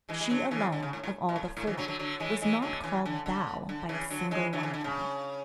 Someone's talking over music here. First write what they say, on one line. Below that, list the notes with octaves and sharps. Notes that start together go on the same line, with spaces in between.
She alone, of all the four, was not called "thou" by a single one of them.
E3 G#3
G#3
D3 F#3
C#3 E3
D3
C#3
A2
A2
B2
A2
A2
C#3 E3
D3 F#3
D3 F#3
D3 F#3
E3 G#3
E3 G#3
D3 F#3
C#3 E3
D3
D3
D3
C#3 E3
D3 F#3
E3 G#3
D3 F#3
C#3 E3
D3
C#3